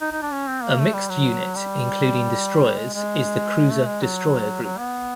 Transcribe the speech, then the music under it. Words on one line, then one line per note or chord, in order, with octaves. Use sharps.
A mixed unit including destroyers is the cruiser-destroyer group.
D#4
D#4
D4
C#4
C4
A#3
A3
G3
F#3
G3
G#3
G#3
A3
G#3
F#3
F#3
B3